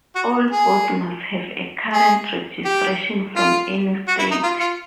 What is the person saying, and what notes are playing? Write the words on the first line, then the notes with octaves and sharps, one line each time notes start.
All boats must have a current registration from any state.
F#4
G#4
G#4
G4
F4
F#4
E4
D#4
F4
F4